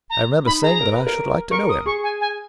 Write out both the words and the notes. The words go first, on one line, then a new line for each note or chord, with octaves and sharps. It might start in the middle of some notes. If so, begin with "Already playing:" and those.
I remember saying that I should like to know him.
A#5
D#4 B5
G#4 A#5
A#4
B4
A#4
A#4 C#6
D#6
G#4 C#6
G#5
G#5